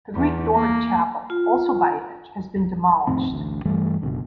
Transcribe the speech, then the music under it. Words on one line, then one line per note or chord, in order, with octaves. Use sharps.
The Greek Doric chapel, also by Edge, has been demolished.
E2
A#3
F4
F2 A2 D#3 C4
A1 D2
G2 E3 G3 A3
F#1 B1 B2 D3